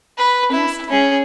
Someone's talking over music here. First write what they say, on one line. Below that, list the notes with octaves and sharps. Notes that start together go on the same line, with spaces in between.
"Yes, dear."
B4
E4
C#4 G#4